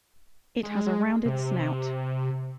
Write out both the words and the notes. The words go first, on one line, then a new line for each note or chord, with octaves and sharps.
It has a rounded snout.
G#3
C3